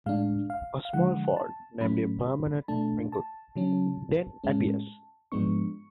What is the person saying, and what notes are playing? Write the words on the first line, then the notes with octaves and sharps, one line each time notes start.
A small fold, namely a permanent wrinkle, then appears.
A2 G#3 D4 F5
F5
F5
D3 F3 G#3 F#5
A5
A2 F#3 A3 C#4 B5
B2 A3 D4 A5
A5
C#3 F#3 C#4
A2 G#3 C#4
G#2 F3 G#3 B3 D4 C#6